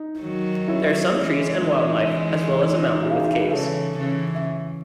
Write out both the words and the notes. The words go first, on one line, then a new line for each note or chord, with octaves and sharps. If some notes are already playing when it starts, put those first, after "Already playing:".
There are some trees and wildlife as well as a mountain with caves.
Already playing: D#4
D#3 F#3
C#4 E4
E3 G#3 C#4 E4
C#4
E3 G#3 D#4
C#4
D#4
C#4
D#4
D#4
D#4 F#4
E4 G#4
D#4 F#4
D#4 F#4
G#4 B4
C#3 E3 A4 C#5
C#3 E3
E5